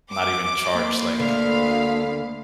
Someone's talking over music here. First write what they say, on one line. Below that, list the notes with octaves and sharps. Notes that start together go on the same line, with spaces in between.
not even charge, like
D6
A#3 B5 C6
D2 D3 F5